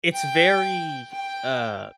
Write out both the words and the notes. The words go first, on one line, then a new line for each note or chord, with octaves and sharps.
It's very, uh,
G5
G5